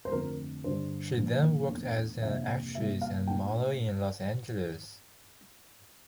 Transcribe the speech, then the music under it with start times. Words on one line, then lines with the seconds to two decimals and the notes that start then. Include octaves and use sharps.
She then worked as an actress and model in Los Angeles.
0.05 C5
0.11 F2 D3 A3 C4 A#4
0.64 G2 D3 G3 D4 C5
1.17 A#2 F3 A#3 D4
1.70 E2 E3 A3 D4
2.22 F2 C3 E3 A#3 D4 E5
2.75 C3 G3 A#3 E5
3.01 F5
3.27 A#2 A3 D4 G5